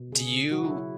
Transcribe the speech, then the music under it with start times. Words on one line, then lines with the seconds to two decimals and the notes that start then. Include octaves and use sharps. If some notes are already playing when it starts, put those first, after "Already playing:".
Do you
Already playing: B2
0.12 C#3 G#4
0.32 C#3
0.52 F#3 F#4
0.65 E4
0.71 F#3
0.78 E4